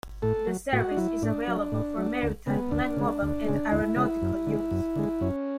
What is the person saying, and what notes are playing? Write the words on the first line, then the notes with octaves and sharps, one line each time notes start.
The service is available for maritime, land mobile and aeronautical use.
A2 A4
F#3
A2 F#4
D4
F#3 E4
A2 D4
F#3
A2
F#3
D2
C#3 G#3 B3
D2 D4
C#3 G#3
D2
C#3 G#3
D2 E4
C#3 G#3
F#2
D3 G#3
F#2
D3 G#3
F#2 C#4